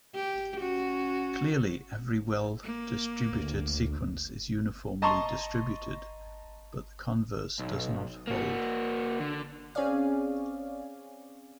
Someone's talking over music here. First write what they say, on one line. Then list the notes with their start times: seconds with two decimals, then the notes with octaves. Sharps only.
Clearly every well-distributed sequence is uniformly distributed, but the converse does not hold.
0.16 G4
0.60 C#4 F#4
2.63 A#3
3.33 D2
5.02 D#5 A5 A#5 C6 C#6
7.59 B1
8.27 A#3 F#4
9.20 D3
9.75 C4 C#4 G#4 C#5 D5 F5